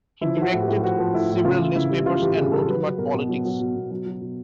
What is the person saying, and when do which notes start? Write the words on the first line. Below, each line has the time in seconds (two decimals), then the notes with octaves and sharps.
He directed several newspapers and wrote about politics.
0.21 F3 E4
0.36 F3
0.42 F#4
0.53 A2
0.62 G4
0.68 A2
0.83 F3 F#4
0.99 F3
1.13 A2 E4
1.29 A2
1.44 C#3 F4
1.59 E3
1.75 C#3 E4
1.91 G3
2.06 C#3 F4
2.22 E3 G4
2.37 C#3 G#4
2.52 G3 A4
2.68 F#3 B4
2.83 F#3
2.98 B2 A#4
3.14 B2
3.29 F#3
3.45 F#3
3.60 B2
3.76 B2
3.91 F#3
4.06 F#3
4.21 B2